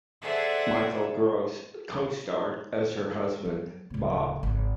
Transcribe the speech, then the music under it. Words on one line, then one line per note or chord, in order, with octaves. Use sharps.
Michael Gross co-starred as her husband, Bob.
G#4 A4 C5 D5 E5 F#5
F#3
D1 C#3
G#1